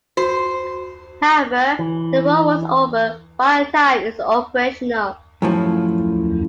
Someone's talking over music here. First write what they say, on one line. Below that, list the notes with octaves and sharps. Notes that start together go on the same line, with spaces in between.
However the war was over by the time it was operational.
F#4 C5
E3
F#2 A2 F3